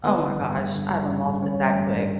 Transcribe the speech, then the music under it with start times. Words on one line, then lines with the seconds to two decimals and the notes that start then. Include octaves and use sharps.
Oh my gosh, I done lost it that quick.
0.03 D3 B3
0.21 G3
0.38 G2
0.55 G2
0.73 D3
0.90 G3
1.07 G2
1.25 G2
1.42 D3 C#4
1.60 G3
1.77 G2
1.94 G2